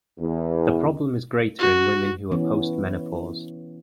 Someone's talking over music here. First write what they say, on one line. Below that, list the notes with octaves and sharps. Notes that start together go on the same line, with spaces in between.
The problem is greater in women who are post-menopause.
E2
F#4
E3 B3 C#4